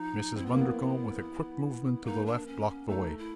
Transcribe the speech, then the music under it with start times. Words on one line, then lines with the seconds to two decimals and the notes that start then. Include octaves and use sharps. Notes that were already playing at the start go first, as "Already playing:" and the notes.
Mrs. Bundercombe, with a quick movement to the left, blocked the way.
Already playing: F3 D#4
0.36 C4 E4
0.44 B3 F4
0.52 A#3 E4
0.61 B3
2.04 A#3 D#4
2.26 D4
2.47 C#4
2.68 C#4
2.89 A3 D#4
3.18 E4